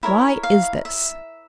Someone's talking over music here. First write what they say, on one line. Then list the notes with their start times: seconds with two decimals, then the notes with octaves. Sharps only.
"Why is this?"
0.03 E4 A#4 C#5
0.43 F5
0.85 E5